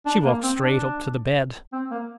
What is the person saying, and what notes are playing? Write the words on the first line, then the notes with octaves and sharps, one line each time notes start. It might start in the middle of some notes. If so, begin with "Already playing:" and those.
She walked straight up to the bed.
D4
A#3
C4
D4
C4
A#3